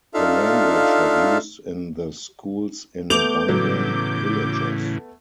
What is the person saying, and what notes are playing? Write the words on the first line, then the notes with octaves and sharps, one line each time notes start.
The language was used in the schools in Dungan villages.
D4 D#4 F4 A4 E5 F5
A3 B3 D6 G6 F7
A2 C#3 E3 F#3